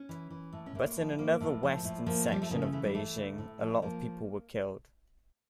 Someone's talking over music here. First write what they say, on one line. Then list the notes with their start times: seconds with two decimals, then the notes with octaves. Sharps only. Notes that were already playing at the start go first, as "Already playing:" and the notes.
But in another western section of Beijing, a lot of people were killed.
Already playing: C#4
0.09 E3
0.30 E3
0.53 A2
0.66 C#4
0.75 A2 A#3
0.97 F3
1.18 F3 A#3
1.41 A2
1.63 F3
1.84 A2
2.06 F3 A#3
2.28 F3 G3
2.42 A3
2.51 C#3 A#3
2.62 A3
2.72 E3 A3
2.84 G3
2.94 E3 A3
3.16 D2
3.38 A2
3.60 F3
3.82 F3 A#3